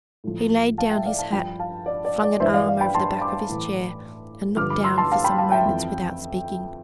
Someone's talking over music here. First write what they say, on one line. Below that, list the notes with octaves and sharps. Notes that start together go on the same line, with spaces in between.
He laid down his hat, flung an arm over the back of his chair, and looked down for some moments without speaking.
A2 F3
F5 A5
E5 G5
D5 F5
F5 A5
G2 F3 G5 B5
F5 A5
D5
D5
D5
G2 E3 C5 E5
D5 F5
D5 F5
G5 B5
A5 C6
B5 D6
A2 E3
G2 D3 F3 D6 F6
B5 D6
C6 E6
A5 C6
F5 A5
G5 B5
F5 A5
E5 G5
F2 E3